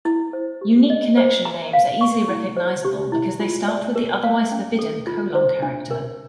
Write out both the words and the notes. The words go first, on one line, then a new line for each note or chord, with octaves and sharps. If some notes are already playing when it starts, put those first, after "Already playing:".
Unique connection names are easily recognizable because they start with the-otherwise forbidden-colon character.
E4
C5
G4
D#5
C5
A#5
F5
C#6
E4
C5
G4
E4
F4
D5
A#4
F5
C#4
A4
F4
C5
D4
A#4